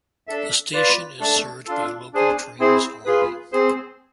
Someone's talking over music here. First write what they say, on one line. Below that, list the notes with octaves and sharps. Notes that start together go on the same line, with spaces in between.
The station is served by local trains only.
D4 A4 E5
F4 B4 D5
A3 D4 A4
D4 F4 A4
D4 G#4 C5 G#5
C4 E4 G#4 C5
F4 G#4 B4
C4 G#4 C5